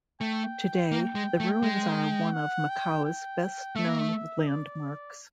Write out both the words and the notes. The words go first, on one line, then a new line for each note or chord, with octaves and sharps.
Today, the ruins are one of Macau's best known landmarks.
A3 G5
A#3
G#3
A3
G#3
F#5
G5
G5
A3 E5
A#3
A3
D5